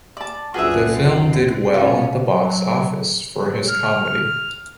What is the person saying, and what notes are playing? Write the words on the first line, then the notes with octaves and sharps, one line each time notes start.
The film did well at the box office for his comedy.
D5 A5
C2 F#2 D4 F4 F#4 G#4 B4 E5
C4
C3 C#4 F4
F#3
F#3
F6